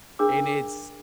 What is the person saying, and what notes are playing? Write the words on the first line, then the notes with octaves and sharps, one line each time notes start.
and it's,
D4 G#4 A#4 D6